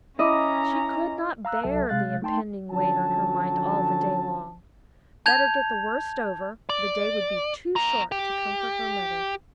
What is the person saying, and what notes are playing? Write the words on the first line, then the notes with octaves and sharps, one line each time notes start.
She could not bear the impending weight on her mind all the day long: better get the worst over; the day would be too short to comfort her mother.
C#4 E4 D#5 E5 A#5 D6 E6
F5 A#5 E6 F#6
C2 F#3 A4 E5 A5
C3 G#3 F5 F#6 A6
A3 D#4 G5 A5 C6
D3 F3 F#3 C#4 A5
A5 G6 G#6 F7
D5
B3 A#5
G4